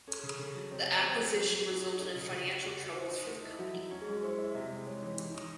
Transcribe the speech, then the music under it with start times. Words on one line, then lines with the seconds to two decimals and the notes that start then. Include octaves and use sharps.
The acquisition resulted in financial troubles for the company.
0.07 C#4 A4
0.19 G#4
0.23 C#3
0.29 G#4
0.39 C#3 A4
0.55 F#3
0.71 C4 C#5
0.88 C4
1.03 F#3 C5
1.14 A4
1.20 C4
1.25 G#4
1.35 F#3 F#4
1.52 F#3
1.68 D#4 G#4
1.83 D#4
1.99 C#4 A4
2.16 C#3
2.31 C#3
2.47 C#4
2.63 F#4
2.79 F#4
2.95 F#4 C5
3.11 D#4
3.27 A3
3.44 E4
3.59 F#3 F#4
3.75 F#3
3.91 C#4 F#4
4.02 G#4
4.07 G#3
4.12 G#4
4.23 E4 C5
4.38 E4 D#5
4.54 C3 D#5
4.71 G#3
4.87 G#3 C#5
5.02 E3
5.19 E3
5.34 D#4